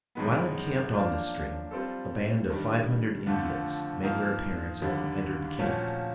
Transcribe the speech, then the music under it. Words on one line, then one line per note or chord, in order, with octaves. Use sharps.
While encamped on this stream, a band of five hundred Indians made their appearance and entered the camp.
F#2 D#3 G#3 B3
F3 A#3 D4
G3 C4 F4 A4
G2 D#3 G3
F2 D3 F3 A3
G#2 F3 A#3
D#2 D3 G3
A#2 F3 A3 C#4 F#4